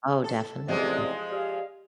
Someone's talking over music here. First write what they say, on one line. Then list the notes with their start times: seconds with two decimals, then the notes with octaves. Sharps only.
Oh, definitely.
0.24 A4
0.68 A1 C3 F3 G#3 D5
1.32 G4 D5 F5